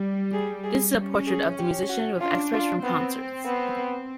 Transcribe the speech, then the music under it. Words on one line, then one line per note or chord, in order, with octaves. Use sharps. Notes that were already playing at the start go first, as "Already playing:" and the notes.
This is a portrait of the musician with excerpts from concerts.
Already playing: G3
G#4
G#4
C#4
G#4
G4
F#4
D4 F4
F4
B3 C4
B3